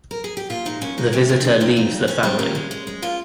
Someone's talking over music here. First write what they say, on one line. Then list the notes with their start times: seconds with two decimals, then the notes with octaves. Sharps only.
The visitor leaves the family.
0.11 A#4
0.24 G#4
0.37 G4
0.50 A#2 F4
0.65 G#3 D#4
0.81 A#2 C#4
0.98 G#3 D#4
1.13 C3 C#4
1.29 C3 C#4
1.40 D#4
1.44 F3 C#4
1.60 C3 D#4
1.76 F2 D#4
1.92 G3
2.07 F2 C#4
2.23 G3 C4
2.39 A#2 C#4
2.55 G#3
2.71 G#3
2.87 G#3
3.02 A#2 F4